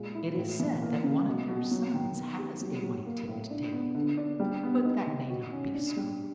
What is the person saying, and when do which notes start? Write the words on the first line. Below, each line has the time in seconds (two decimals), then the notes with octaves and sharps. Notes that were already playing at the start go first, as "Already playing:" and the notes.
It is said that one of their sons has a white-tipped tail, but that may not be so.
Already playing: A#2 G#3
0.15 E4
0.36 A2
0.60 E3
0.81 A#3
1.03 C#3
1.26 B2
1.48 B2
1.71 F#3
1.94 D#3
2.16 B3
2.38 G4
2.61 F#3
2.83 F#3
3.06 A#3
3.28 A2
3.50 D4
3.72 B3
3.95 D3
4.17 D4
4.40 G3
4.63 B3
4.85 D#4
5.07 D#3
5.29 F#4
5.52 C#4
5.74 D4
5.97 G3